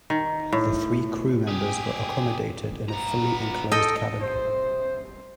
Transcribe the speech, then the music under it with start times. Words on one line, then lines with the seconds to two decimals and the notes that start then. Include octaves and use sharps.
The three crew members were accommodated in a fully enclosed cabin.
0.10 D#3
0.53 A2
1.47 G4 G#4
2.89 B3 A#5
3.72 A4 D#5 G5
4.21 C3 C5